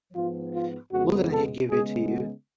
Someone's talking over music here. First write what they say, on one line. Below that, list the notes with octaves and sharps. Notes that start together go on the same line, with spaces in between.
Wouldn't he give it to you?
G#2 F3 B3 F4
F4
F2 C#3 G#3 B3 F#4
A4
C#3 G#3 B3 G#4
F#4